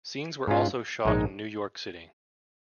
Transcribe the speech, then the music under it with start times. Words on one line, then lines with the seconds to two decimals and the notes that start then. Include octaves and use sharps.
Scenes were also shot in New York City.
0.47 G#2 G#3 C#4 F4
1.05 A#1 G#2 G#3 D#4